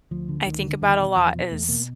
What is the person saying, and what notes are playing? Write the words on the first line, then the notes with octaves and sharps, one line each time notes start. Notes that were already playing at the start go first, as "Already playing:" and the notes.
I think about a lot is,
D2 F3
D3
D2 D#3
D3
E2 D#3
B2
E2 F3
B2
E2 A3
B2 A#3